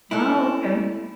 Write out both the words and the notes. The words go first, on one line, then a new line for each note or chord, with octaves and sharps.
Oh, okay.
A3 D#4 E4